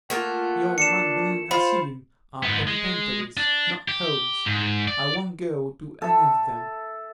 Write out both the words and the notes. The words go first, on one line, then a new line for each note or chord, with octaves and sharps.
Your Magdalen Asylums are penitentiaries, not homes; I won't go to any of them.
A3 A#3 F4 F#5
D4 C#7 E7
F4 C5 F5 B5
G#2 B3
G#3
D4
G4
G#2
D5
A4 E5